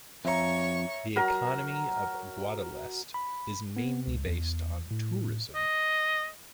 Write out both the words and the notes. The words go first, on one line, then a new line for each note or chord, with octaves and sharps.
The economy of Guadalest is mainly based on tourism.
F2 C#5 E5 A#5 C#6
F#3 A#4 A#5
B5
B3
C#2
E2
A2
D#5